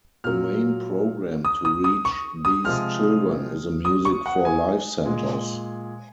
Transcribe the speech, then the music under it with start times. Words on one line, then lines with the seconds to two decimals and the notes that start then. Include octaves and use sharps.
The main program to reach these children is the Music for Life Centers.
0.24 A#2 F#3 F6
1.45 D#6
1.65 D#6
1.84 D#6
2.05 C#6
2.45 D#6
2.64 C3 F3 G#3 F6
3.85 D#6
4.05 C#6
4.26 F#5
4.45 G#5
5.05 A#2 G#3